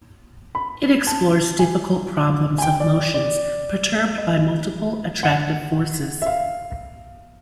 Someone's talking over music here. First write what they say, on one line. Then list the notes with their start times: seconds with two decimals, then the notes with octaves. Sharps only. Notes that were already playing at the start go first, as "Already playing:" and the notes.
It explores difficult problems of motions perturbed by multiple attractive forces.
0.55 B5
1.07 A5
1.59 G#5
2.58 G#5
2.62 G5
2.80 D5
2.97 D5
3.14 D5
4.18 D#5
5.23 F#5
6.22 E5
6.26 F5